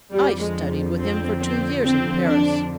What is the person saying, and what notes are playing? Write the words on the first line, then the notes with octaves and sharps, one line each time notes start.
'I studied with him for two years in Paris.
F2 D3 F3 G3
G#3
C4
C4
C4
D4